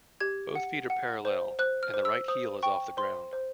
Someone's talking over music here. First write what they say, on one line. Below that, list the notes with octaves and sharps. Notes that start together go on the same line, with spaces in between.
Both feet are parallel, and the right heel is off the ground.
G4 G#6
F#5
F#5
C5
C5 F#6
F6
C5
E6
C5 D#6
G5 C#6
C5 C6
C5